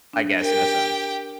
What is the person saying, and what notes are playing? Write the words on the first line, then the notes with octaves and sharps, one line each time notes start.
I guess, in a sense.
D4
G4 A#4 G5